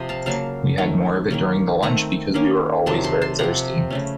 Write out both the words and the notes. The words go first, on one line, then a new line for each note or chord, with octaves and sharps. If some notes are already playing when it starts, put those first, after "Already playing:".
We had more of it during the lunch because we were always very thirsty.
Already playing: C3 F3 C4 C5 D#5
F5 A5
C#3 F#3 A#3 F5 A5
D#3 A3 C#4
D#3 A#3 C#4
D#3 A3 C4 F#5 A#5
D#3 A#3 C#4
C3 D#3 F#3 A5 C6
A5 C6
A5 C6
C3 F3 C4 F#5 A#5
C#3 A3 C#4